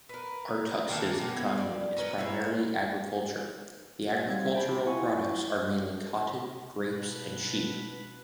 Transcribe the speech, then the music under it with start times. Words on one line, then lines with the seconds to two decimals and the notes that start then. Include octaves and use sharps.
Artux's economy is primarily agriculture, the agricultural products are mainly cotton, grapes, and sheep.
0.09 A#4 B4
0.89 D#3 E3 A#3 A4
1.18 B2 A#3 B3
1.57 D5
1.97 C#4 A#4 B4
2.18 E4 G#4 A#4 C#5
4.27 G3 C4 F5 G#6
4.55 G5 A5 B5
4.86 E4 F4 F#5 G#5 C#6
6.87 B2 B4